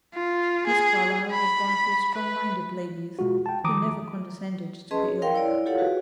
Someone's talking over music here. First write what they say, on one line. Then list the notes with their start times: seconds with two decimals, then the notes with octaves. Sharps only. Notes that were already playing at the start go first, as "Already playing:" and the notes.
Miss Carlyle was one of your strong-minded ladies, who never condescended to be ill.
0.14 F4
0.67 G#4
1.32 B5
2.15 B4
3.19 B2 G#3 F4 F#4
3.46 G5 A5
3.64 D#3 F3 A#5 D6 D#6
4.91 C#4 G#4 B4 D#5 A5 C6
5.04 C#5
5.22 A#4 F5 G5 C6
5.34 E4 C#5 D5
5.66 F4 G4 A4 C#5 F5 F#5
5.78 F#4 G#4 B4